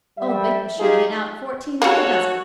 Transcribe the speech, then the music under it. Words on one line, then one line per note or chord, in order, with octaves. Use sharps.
Old Bick was shooting it out fourteen to the dozen.'
G3 E5
D#4 F4 G4 G#4
G3 G#3 A#3 F#4 A4 C#5 F#5